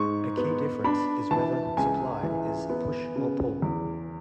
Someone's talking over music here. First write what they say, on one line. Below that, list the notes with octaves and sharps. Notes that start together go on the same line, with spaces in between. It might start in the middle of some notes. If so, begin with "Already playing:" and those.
A key difference is whether supply is 'push' or 'pull'.
Already playing: G#2 C#6
B3
D4 B5
E3 A5
C#2 G#5
E3
B3
C#3
E2